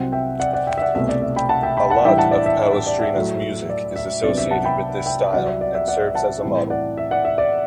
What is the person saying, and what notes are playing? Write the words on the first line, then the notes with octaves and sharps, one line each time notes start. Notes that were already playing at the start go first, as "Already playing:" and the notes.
A lot of Palestrina’s music is associated with this style and serves as a model.
Already playing: C2 C3 F#3 C4 F#5
E5 G5
D5 F#5
D5 F#5
E5 G5
E5
D5 F#5
C2 B2 A3 E5
D5
E5
G5 B5
F#5 A5
E5 G5
G5 B5
F#5 A5
A2 E3 G3 D4 E5 G5
F#5 A5
D5
E5
E5
D5
E5
A2 F#3 A3
D5
E5
C2 C3 F#3 B3 D4 D5
E5
F#5 A5
G5 B5
E5 G5
C2 C3 F#3 D5 F#5
E5
D5
E5
D5 F#5
F#5 A5
A2 E3 G3 C4 E4
D5 F#5
E5
D5 F#5
E5
D5